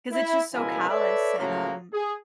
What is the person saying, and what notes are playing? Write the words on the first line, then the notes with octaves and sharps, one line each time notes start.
'cause it's just so callous and, um,
E4
C#2 B2 F3 E4 A#4 G#5
A4 B4 C#5 D5 E5
A2 C#3 F3 F#3 A#3
G#4